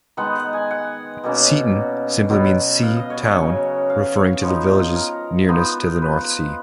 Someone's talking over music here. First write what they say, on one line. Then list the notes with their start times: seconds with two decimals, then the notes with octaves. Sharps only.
'Seaton' simply means 'sea town', referring to the village's nearness to the North Sea.
0.17 D#3 G#3 B3 D#4 F#5
0.35 F#5
0.53 G#5
0.71 F#5
1.24 B2 A#3 C#4
2.30 B2 F#3 B3
2.83 F5
2.96 D#5
3.10 C#5
3.23 C#5
3.36 C#3 F#3 C#4
3.90 F5
4.16 C#5
4.42 F3 B3 D#4
4.95 A#4
5.48 F3 B3 D#4
6.02 B4